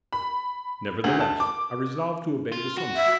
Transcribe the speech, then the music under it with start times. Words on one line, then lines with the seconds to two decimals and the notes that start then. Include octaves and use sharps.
Nevertheless, I resolved to obey the summons.
0.13 B5
1.04 D2
1.20 A5
1.40 D6
2.52 F4
2.78 F#4
2.96 E5